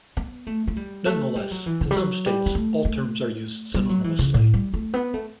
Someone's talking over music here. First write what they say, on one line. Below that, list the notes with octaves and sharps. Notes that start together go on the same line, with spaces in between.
Nonetheless, in some states, all terms are used synonymously.
B3
A3
A3
G3
A3
G3
F#3
E3
D3
G3
F#3
G3
B3
A3
A3
G3
F#3
E3
C#3
A2
G3
A3
B3
A3